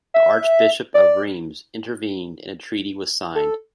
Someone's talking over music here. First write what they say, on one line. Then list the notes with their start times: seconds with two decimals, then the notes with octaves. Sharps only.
The Archbishop of Reims intervened and a treaty was signed.
0.14 E5
0.94 D5
3.35 A4